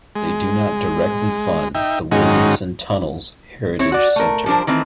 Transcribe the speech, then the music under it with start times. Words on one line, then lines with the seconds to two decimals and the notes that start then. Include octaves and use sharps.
They do not directly fund the Williamson Tunnels Heritage Centre.
0.16 G#3
1.75 D#4 E5 G5
2.12 G#2 D#3 G#3 C#4 D#4 F#4
3.79 C4 E4 C#5
3.92 F#4 D5
4.16 A3 A#4
4.46 F3 G3 D4 A#4 C5
4.67 D#3 E3 A3 C4